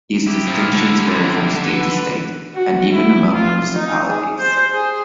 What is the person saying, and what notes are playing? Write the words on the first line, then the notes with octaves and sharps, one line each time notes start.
These distinctions vary from state to state, and even among municipalities.
E4 G4
A2 F3
D3
B4
F#4
E4
F4
D#4
G#4
C5
G#4